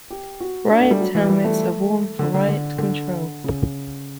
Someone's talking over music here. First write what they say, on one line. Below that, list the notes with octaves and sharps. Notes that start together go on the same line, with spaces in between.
Riot helmets are worn for riot control.
G4
F#4
D4
A3
G3
F#3
E3
G3
A3
D3
D3
D3
D3
C#3